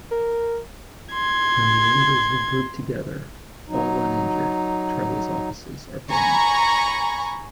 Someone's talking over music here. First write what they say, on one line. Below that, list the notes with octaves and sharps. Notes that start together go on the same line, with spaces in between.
When the Angels regroup together, all uninjured, Charlie's offices are blown up.
A#4
C6 G#6
F#3 D#4
G#5 A#5 B5 C#6